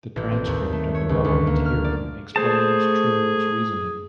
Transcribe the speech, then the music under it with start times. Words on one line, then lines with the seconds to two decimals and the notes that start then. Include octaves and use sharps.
The transcript of the relevant hearing explains Troon's reasoning.
0.16 A1
0.32 C4
0.46 D#2
0.72 A3
0.95 C#5
1.09 C#2
1.25 D2
1.47 A#3
1.65 F6
1.84 D5
2.36 A3 G#4 C5 A5